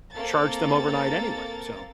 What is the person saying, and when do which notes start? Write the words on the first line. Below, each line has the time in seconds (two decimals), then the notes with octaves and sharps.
charge them overnight anyway, so
0.13 A#3 C4 A4 A#5 A6